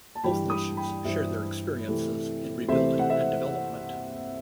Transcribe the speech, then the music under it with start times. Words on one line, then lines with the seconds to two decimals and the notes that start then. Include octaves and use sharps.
Both nations share their experiences in rebuilding and development.
0.15 A5
0.24 G2 E3 G3 G5 B5
0.50 B5 D#6
0.77 G5 B5
1.04 G2 E3 G3 C5 E5
1.87 C3 E3 A3 C4
2.68 C3 E3 A3 C4 C5 E5
2.99 F#5
3.10 C5 E5